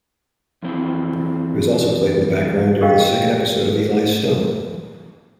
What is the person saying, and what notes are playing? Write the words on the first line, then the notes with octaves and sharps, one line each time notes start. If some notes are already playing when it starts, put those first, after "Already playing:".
It was also played in the background during the second episode of Eli Stone.
F2 E3 C4
G4 G#4 A#4 D#5 F5 G5